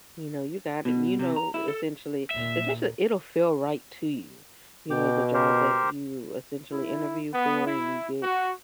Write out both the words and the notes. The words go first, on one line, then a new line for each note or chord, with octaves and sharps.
you know, you got it and, you know, essentially especially it'll feel right to you, you know, the job that you essentially interview for and you get,
B2
C3
A#5
E4
A4
D#2 A#2 E5
B2 G5 D6
G4 A#4 C5
E4
B3
E4
F#4